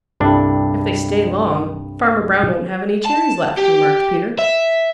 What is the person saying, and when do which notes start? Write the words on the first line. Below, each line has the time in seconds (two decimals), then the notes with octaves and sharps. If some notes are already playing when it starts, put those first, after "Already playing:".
"If they stay long, Farmer Brown won't have any cherries left," remarked Peter.
0.20 C2 G2 D4 E4 A4
3.06 A5
3.58 G4
4.39 E5